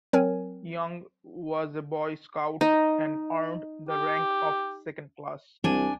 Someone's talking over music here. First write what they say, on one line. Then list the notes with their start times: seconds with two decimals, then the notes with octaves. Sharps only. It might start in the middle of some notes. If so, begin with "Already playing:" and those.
Young was a Boy Scout and earned the rank of Second Class.
0.13 F#3 C4 A#4 C#5 G#5
2.61 D#4
3.89 G4
5.64 C2 D4 G#5